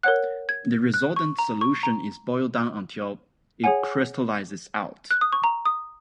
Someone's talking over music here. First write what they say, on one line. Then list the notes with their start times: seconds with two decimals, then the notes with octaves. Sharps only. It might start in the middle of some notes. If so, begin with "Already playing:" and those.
The resultant solution is boiled down until it crystallizes out.
0.03 A#4 C#5 F#5 F#6
0.49 G#6
0.94 F#6
1.16 C#6
1.39 A#5
1.61 C#6
1.83 A#5
3.64 G#4 C#5 F#5 G#5
5.11 F#6
5.21 D#6
5.32 C#6
5.44 A#5
5.65 D#6